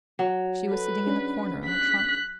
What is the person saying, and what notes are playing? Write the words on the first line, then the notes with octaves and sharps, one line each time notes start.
She was sitting in the corner, on a trunk.
F#3
A4 B4
C#4 D4 G#4
F#6 B6